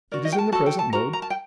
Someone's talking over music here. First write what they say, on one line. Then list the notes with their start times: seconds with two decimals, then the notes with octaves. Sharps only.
It is in the present mode.
0.12 F#4 A#4 D5
0.25 D#5
0.32 G5
0.38 A5
0.52 F#4 A4 A5
0.66 G5
0.79 A5
0.93 F#4 A#4 A#5
1.13 A#5
1.22 A5
1.30 G5